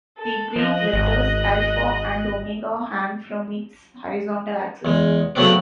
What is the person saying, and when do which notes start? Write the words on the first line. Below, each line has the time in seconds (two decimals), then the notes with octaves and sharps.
The Greek letters Alpha and Omega hang from its horizontal axis.
0.18 A4
0.56 F3 D#5 F#6
0.93 G#1
4.85 E2 G#3
5.35 C#3 F#3 A3 B3 C4 D4